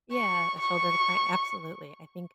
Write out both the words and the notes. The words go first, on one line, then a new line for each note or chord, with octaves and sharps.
Yeah, a shoulder to cry absolutely, I think
C#6
C#6